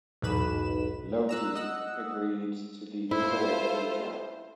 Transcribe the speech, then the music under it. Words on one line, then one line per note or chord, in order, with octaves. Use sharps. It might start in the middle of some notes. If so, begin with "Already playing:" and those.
Loki agreed to lead Thor to the trap.
B1 E2 G#2 B4 B5 E7
A#5 E6 F#6
D#5 F#5 E6 F#6
E4 F4 A4 C5